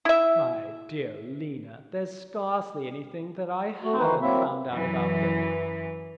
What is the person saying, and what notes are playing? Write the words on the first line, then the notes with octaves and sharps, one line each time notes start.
My dear Lena, there's scarcely anything that I haven't found out about them.
E4 E5
A3 F#4
D#3 E3 D#4 F#4 B4 C5
F#3 A#3 C4 E4 E5
F#2 E3